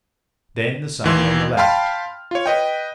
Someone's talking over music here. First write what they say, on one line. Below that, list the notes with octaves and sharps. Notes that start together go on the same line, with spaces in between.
Then the same on the left.
D#2 E3 C6
F5 G5 A5 B5 C6 F6
F4 C#5
B4 D#5 G5